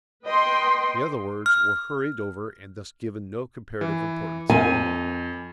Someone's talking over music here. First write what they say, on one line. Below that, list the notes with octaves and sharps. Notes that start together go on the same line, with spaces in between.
The other words were hurried over and thus given no comparative importance at all.
B4 D#5 G5 C6
F6
E3
F2 G#5